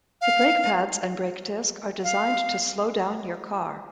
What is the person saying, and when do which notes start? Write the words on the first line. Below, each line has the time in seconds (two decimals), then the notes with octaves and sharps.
The brake pads and brake disc are designed to slow down your car.
0.21 F5
2.03 F5